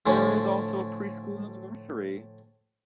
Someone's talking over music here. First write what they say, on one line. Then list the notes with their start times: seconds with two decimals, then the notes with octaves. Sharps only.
There is also a pre-school and a nursery.
0.06 A2 D3 F3 C#4